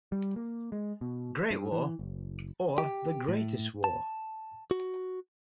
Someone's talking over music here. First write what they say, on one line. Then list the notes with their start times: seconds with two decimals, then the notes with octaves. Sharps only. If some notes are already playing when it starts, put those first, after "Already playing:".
Great War - or the greatest war?
0.12 G3
0.36 A#3
0.72 G#3
1.01 B2
1.51 G2
1.72 E3
1.99 F#1
2.78 G4
3.28 A2
3.84 A5
4.71 F#4